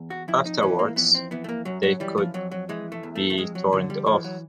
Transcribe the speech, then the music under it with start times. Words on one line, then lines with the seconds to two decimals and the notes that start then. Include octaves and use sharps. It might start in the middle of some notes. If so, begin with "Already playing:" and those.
Afterwards, they could be turned off.
Already playing: E2
0.10 F#4
0.28 F2 E4
0.45 D#4
0.63 E3 C#4
0.79 A#3
0.96 F2 B3
1.15 C4
1.31 E3 B3
1.44 A3
1.49 A#3
1.65 F#2 F#3
1.83 F#3
2.00 E3 G3
2.18 F3
2.34 F2 F#3
2.51 F#3
2.69 E3 G#3
2.92 A3
3.03 E2
3.15 A3
3.30 A3
3.38 F2 G#3
3.55 F#3
3.72 D3 F#3
3.90 G3
4.06 E3 F3
4.24 F#3